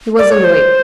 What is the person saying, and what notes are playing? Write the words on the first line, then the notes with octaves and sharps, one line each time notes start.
He was annoyed.
D5
C#5
C5